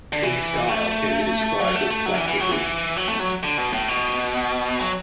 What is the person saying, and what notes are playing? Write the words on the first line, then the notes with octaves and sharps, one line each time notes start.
Its style can be described as Classicist.
D3
E3
A3
F#3
A3
A3
F#3
E3
E3
F#3
E3
F#3
A3
F#3
D3
B2
A2
B2
F#3